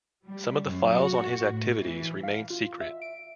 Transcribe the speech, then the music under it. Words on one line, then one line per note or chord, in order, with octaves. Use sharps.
Some of the files on his activities remain secret.
G3
F#2
F#4
A2
E3
F5
F4
E5
D7